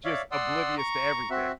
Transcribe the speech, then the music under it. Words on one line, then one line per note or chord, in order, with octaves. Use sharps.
just oblivious to everything.
C#5 D5 E5 F5
D5 F#5 C6 D#6 E6
A#5 C#6
C4 F#4 E5